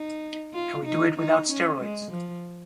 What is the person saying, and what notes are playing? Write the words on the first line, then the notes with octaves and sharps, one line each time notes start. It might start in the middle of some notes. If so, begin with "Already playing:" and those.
And we do it without steroids!
Already playing: D#4
F4
D#4
D#4
C#4
G#3
F3